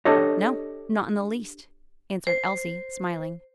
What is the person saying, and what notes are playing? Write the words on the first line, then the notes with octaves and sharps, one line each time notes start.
"No, not in the least," answered Elsie, smiling.
D4 G4 A4 C#5 D#5
C5